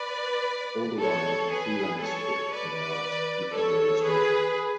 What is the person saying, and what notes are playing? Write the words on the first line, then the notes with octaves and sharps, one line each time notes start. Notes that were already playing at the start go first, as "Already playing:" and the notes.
All the while he freelanced book-cover art and other illustrations.
Already playing: B4 D5
A4 C#5
G#4 B4
A4 C#5
B4 D5
A4 C#5
G#4 B4